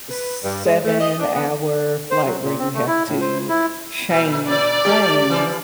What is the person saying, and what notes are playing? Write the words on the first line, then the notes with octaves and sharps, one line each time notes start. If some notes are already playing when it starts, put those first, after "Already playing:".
seven-hour flight where you have to change planes,
B4
G2
G#3
A3
D#5
D4
B3
C5
F#3
A#2
C4
A3
E4
A2
C5
E4
A#2
D5
A3 G4
E3 F3